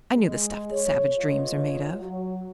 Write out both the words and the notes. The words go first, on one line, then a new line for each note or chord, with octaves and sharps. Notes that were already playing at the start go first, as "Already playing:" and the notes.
I knew the stuff that savage dreams are made of.
G#3
C#5
E2 A2 G#3 F4 C#5 D#5
F#3